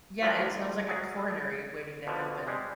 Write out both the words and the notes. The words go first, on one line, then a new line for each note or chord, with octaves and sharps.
yeah, it sounds like a coronary waiting to happen.
A2 D3 F3 F#3 A#3
F#3 G#4
A4
B2 D3 F3
G3 G#3